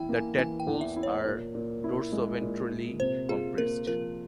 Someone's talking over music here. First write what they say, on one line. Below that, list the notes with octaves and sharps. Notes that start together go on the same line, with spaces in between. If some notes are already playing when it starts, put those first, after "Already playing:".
The tadpoles are dorsoventrally compressed.
Already playing: E2 E4 G5
A#3
G#5
E3 G#5
G5
E2
E5
E4
C#5
A#2
A#2
E4
G#3
A#2
A#2
C3 C5
F4 G#4
A#3 A#4
F3 A#4